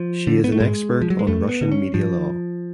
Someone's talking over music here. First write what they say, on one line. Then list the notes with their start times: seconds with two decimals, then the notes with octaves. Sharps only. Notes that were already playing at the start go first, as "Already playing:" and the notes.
She is an expert on Russian media law.
Already playing: F3
0.27 D3
0.44 B3
0.52 A3
0.60 G#2 G#3
1.02 F3
1.10 F#3
1.19 G#3
1.27 F2 A3
1.49 B3
1.61 D3
1.72 C#4
1.94 G#2 F3